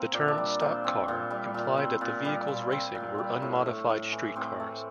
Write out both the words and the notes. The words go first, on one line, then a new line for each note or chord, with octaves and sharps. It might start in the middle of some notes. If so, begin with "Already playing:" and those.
The term "stock car" implied that the vehicles racing were unmodified street cars.
Already playing: A#3 C4 A#4 C5
A#2 D5
E5
D4 D5
G3
A#2 C4 C5
C4
A#2
G3
A#2
C4
A#2
G3
A#2
C4
A#2
G3
A2
A3
A2
E3
A2 C4 C5
A3